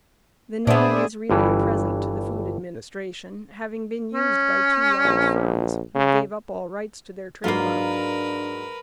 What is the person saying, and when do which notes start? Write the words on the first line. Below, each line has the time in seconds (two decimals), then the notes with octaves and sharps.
The name is really a present to the Food Administration, having been used by two large firms who gave up all rights to their trade-mark.
0.67 A#2 B3 D4 G#4 C5 D5 E5
1.30 G1 G2 E3
4.14 C#4
5.05 A#1
5.95 C#3
7.44 G#2 F#3 A#3 D4 F4 A#4 B4